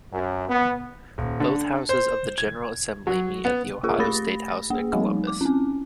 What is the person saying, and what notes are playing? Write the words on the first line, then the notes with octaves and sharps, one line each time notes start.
Both houses of the General Assembly meet at the Ohio Statehouse in Columbus.
F#2
B3
D#1
D3
C5
G#6
F#3
B3
A#3 F4 G#4 A#4
A3 G4 B5 A6 A#6
A#3 G#4
F3 G3 A3 A#3 C4 D#4
D6
C4 C#4